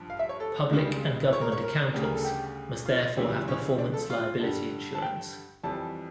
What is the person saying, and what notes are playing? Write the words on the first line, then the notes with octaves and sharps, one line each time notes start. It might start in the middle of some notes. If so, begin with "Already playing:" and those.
Public and government accountants must therefore have performance liability insurance.
Already playing: G2 F3
F5
E5
C#5
A4
C#2 C#3 G3
C#5
A#4
C#5
A#4
D2 C#3 G3
A#4
A4
G4
F4
C#2 C#3 E3 G3
C#4
D4
A4
F4
G2 D3 G3
A5
G5
F2 E3 G3 A5